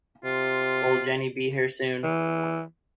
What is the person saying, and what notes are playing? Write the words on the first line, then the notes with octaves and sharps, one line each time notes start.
Will Jenny be here soon?
C3 F4
E3